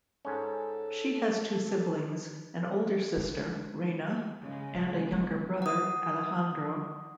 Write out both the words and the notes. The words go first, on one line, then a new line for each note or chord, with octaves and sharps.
She has two siblings; an older sister, Reyna, and a younger brother, Alejandro.
G#2 C#4 A4
G#3
C#3 G#3
C#4 F4
B3 F4
F#5 D#6